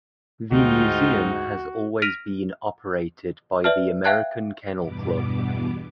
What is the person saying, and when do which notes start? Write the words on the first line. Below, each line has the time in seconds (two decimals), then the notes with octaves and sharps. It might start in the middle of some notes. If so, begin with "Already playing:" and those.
The museum has always been operated by the American Kennel Club.
0.52 D2 G#2 D#4 F4 F#4 G5
2.02 F6 A#6 B6 D7 D#7 F7
3.64 B4 D5 E5 A5 F6
4.04 E5 F5 G5 A5 F#6 G#6
4.76 E2 G2 B2 B3 D6